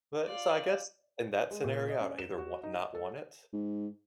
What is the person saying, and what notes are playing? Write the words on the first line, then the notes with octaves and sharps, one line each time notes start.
But, so, I guess, in that scenario, I'd either wa not want it.
F4 D5
G#3
A#2
D#5
C#4
E7
F#4
D#4
D#5
A4
G#2